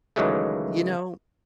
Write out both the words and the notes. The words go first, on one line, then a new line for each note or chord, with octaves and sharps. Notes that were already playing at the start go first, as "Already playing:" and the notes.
You know
C#2 D#3 E3 F#3 G#3 A3